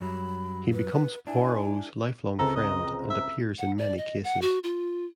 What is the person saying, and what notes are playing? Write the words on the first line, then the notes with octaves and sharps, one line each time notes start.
He becomes Poirot's lifelong friend and appears in many cases.
F#2 F#3 G3 B5
B4
D4 E4 G#5
C#2 C4 A4 A#5
D#5
E5
F#5
D5
D#5
F#5
F#4
F4